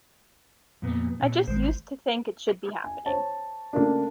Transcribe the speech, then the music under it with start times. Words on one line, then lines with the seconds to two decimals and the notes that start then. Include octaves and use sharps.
I just used to think it should be happening.
0.82 F2 A#2 B3
1.20 A#2 C#4
1.48 G#1 G#3 C5
2.84 G#5
3.06 C5 C#5 A5
3.73 C#3 A3 A#3 D4